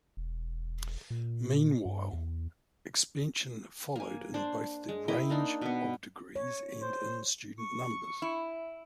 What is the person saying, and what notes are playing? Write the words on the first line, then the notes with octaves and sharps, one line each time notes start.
Meanwhile, expansion followed in both the range of degrees and in student numbers.
E1
A#2
G2
E2
A#3 G#5
D4 C5
G#3
E4 A#4 D#5 G5
A#3 D4 D#4
B2 B3
C#5
C5
C#6
E4